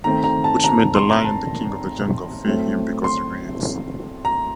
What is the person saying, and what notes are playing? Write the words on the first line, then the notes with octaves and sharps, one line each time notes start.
Which made the lion the king of the jungle fear him because he reads.
D#3 A3 C4 A#5
A#5
A5
A#5
A#5
C6
A#5
A5
A2 F#3 A3 C4
C6
A#5